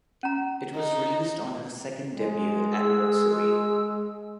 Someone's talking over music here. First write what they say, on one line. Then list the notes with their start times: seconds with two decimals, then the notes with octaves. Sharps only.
It was released on her second debut anniversary.
0.23 C#4 A#5
0.75 D#4
2.18 G#3
2.72 G#4 E6